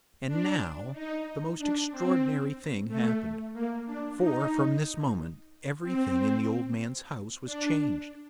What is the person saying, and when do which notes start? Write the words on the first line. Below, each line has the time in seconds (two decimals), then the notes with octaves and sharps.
And now the most extraordinary thing happened, for from this moment everything in the old man's house was changed.
0.26 D4
0.92 D#4
1.58 D4
1.91 C4
2.87 A3
3.53 A#3
3.86 D4
4.18 D#4
5.82 C4
7.44 D4